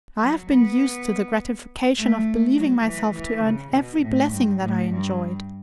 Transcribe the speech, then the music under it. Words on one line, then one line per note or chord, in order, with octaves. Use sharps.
I have been used to the gratification of believing myself to earn every blessing that I enjoyed.
F#3
B3
A3
F#3
E3
E3
C#3
B2
A2
G2
A2
G2